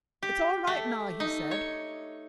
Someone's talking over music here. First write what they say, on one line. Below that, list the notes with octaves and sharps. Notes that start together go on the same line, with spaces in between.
"It's all right now," he said.
G4
A3
D#4
C#5